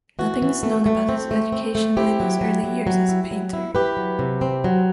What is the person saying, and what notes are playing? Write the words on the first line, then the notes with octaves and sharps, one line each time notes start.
Nothing is known about his education and his early yeas as a painter.
E3 F#4
E3
A3
A3
C4
A3
C4
A3
C4 E4 G4
F#3
F#3
F#3
F#3
E4
F#3
E4
E4 G4 B4
F#3
C3
C4
F#3